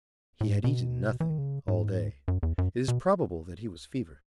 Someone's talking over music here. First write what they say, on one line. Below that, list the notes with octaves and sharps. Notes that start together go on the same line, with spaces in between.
He had eaten nothing all day; it is probable that he was feverish.
A2
G#2
B2
E3
D#3
C#3
G#2
F#2
E2
F#2
B2